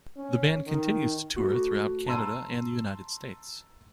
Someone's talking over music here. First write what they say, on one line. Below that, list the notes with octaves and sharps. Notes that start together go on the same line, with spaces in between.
The band continues to tour throughout Canada and the United States.
C#4
D#3
A3 F#4
A5 A#5 C6 E6 D#7